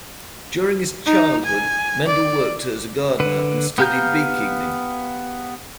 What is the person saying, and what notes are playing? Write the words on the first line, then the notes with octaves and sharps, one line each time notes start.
During his childhood, Mendel worked as a gardener and studied beekeeping.
D#4
G#5
D5
D3 B4
B3 G4 F5 A#5 G6